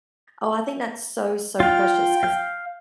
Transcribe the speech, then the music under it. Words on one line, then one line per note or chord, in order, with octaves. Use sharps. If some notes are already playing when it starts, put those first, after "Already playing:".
oh, I think that's so, so precious 'cause,
F4 F5 G5
F5 G6